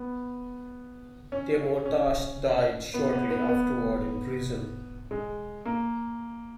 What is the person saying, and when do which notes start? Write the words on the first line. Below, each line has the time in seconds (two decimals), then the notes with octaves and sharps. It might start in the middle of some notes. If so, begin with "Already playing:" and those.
Teymourtash died shortly afterward in prison.
Already playing: B3
1.32 C#4
1.85 C#4
2.94 B3
3.12 B3
3.30 B3
3.49 B3
5.11 G#3
5.65 A#3